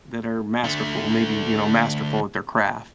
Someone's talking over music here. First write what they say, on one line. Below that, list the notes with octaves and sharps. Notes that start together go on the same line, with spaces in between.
that are masterful, maybe, you know, masterful at their craft,
D3 A3